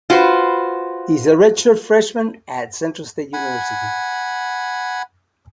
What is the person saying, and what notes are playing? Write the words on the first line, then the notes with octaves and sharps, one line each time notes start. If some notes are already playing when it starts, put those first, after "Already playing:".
He is a redshirt freshman at Central State University.
F4 F#4 B4 C5
F#5 G#5 B5